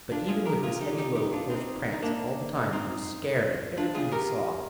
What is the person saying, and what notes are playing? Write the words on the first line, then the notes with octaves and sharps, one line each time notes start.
But even with this heavy load the horse pranced all the time, and was scared at everything he saw.
D4 F4
F4 G#4
G4 A#4
F4 G#4
D#4 G4
D#4 G4
D#4 G4
D4 F4
C4 D#4
D#4
A#3 D4
C4 D#4
D4 F4
F4 G#4
G4 A#4